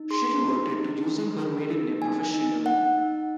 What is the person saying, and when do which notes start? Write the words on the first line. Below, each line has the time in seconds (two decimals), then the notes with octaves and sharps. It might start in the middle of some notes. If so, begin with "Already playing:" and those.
She reverted to using her maiden name professionally.
Already playing: D#4
0.11 G#4 C6
0.42 D#4
0.74 D#4
1.06 G#4
1.38 G#4
1.70 D#4
2.02 D#4 G#5
2.34 D#4
2.66 D#4 F#5
2.98 D#4